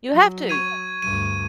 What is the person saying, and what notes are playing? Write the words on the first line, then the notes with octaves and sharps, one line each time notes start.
You have to.
F#3
C#6 G#6 D#7
D2 G2 D#7